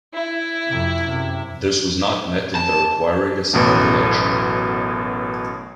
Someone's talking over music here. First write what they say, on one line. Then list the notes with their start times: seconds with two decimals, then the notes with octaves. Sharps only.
This was not met in the requiring a second election.
0.13 E4
0.67 F2 C3
1.05 F#2 C3
2.55 A5
3.53 A1 F#2 B2 F#3 A3